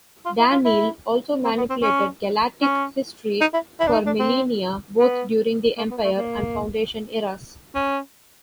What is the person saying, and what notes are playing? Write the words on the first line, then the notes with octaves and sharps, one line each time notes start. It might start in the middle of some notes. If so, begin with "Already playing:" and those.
Daneel also manipulated galactic history for millennia, both during the Empire and Foundation eras.
F4
E4
F4
E4
C4
B3
C4
C#4
C#4
D#4
E4
E4
D4
D#4
D4
C4
B3
A#3
B3
A3
A#3
C#4